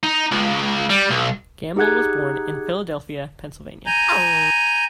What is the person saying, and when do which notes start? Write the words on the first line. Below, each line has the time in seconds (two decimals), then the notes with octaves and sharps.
Gambel was born in Philadelphia, Pennsylvania.
0.03 D#4
0.31 C#2
0.90 G3
1.10 B1
1.76 D#4 G4 G#4 F#5 F#6 G#6
3.86 G#5 A#5 G6